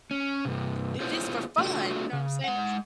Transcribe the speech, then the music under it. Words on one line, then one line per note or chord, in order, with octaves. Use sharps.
do this for fun, you know what I'm saying?
C#4
G2 C3
B3 E4 F4 G#4 C5 C#5
A3 D4 F4 F#4
C#3
G#3 F#5